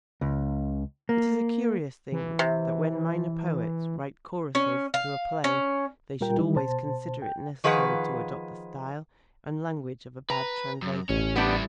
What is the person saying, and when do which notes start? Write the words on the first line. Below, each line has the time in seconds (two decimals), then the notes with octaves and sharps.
It is a curious thing that when minor poets write choruses to a play they should always consider it necessary to adopt the style and language of a bad translator.
0.21 C#2
1.09 A#3
2.12 E3
2.39 C3
4.55 C#4
4.94 F5
5.44 C#4
6.21 A#2 G3 F4 A#4 G5
6.37 D#3 G3 D#4 E4
6.56 B2 C5 A5
7.22 G5
7.64 D#3 F3 G#4 B4 F5 F#5
10.30 B4 A#5
10.82 F#2
11.09 A1 C#4
11.36 G3 B3 D4 E4 G4